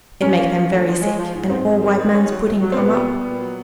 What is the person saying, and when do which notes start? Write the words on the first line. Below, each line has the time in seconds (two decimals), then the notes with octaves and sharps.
It make them very sick and all white man's pudding come up.
0.22 F3 C#4
0.38 A#3
0.55 A#3
0.70 D2
0.86 F3
1.02 G#3
1.18 F3
1.34 G#2
1.49 G#2 C4
1.66 G#2
1.81 D#3
1.97 D#3
2.13 C#4
2.30 F#3
2.45 A2
2.61 F#3
2.72 C4
2.77 A#2 B3
2.93 G3
3.09 G3
3.24 A#2
3.40 F#3